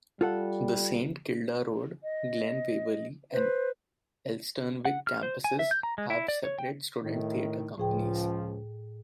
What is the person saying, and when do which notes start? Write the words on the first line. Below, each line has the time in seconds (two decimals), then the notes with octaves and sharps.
The Saint Kilda Road, Glen Waverley and Elsternwick campuses have separate student theatre companies.
0.21 G3 F4 A4 F#5
2.02 D#5
3.32 B4 C5
4.85 F#5
5.07 F6
5.23 C5
5.44 G#5
5.59 E5
5.71 G6
5.83 A#5
5.98 G#3
6.10 E4
6.28 D5
6.44 C#5
6.59 G5
7.04 A2 D#3
7.78 C#2 A2 F3 G#4 G5